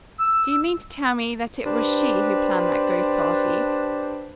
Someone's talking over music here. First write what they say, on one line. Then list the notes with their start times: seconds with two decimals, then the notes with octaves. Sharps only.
"Do you mean to tell me that it was she who planned that ghost party?"
0.18 E6
1.66 D4 G4 B4 C5